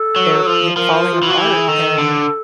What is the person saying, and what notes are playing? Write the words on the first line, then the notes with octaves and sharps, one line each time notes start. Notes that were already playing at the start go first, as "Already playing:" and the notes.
they're y falling apart, and
Already playing: A4
F#3
F3
F3 A#4
F4
E3
F3 F#4
E3 G4
G#4
D#3 A4
D3